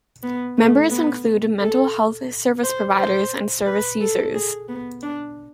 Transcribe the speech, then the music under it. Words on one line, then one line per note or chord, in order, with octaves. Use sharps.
Members include mental health service providers and service users.
B3
A3
B3
A4
C5
C5
B4
A4
G#4
B3
D4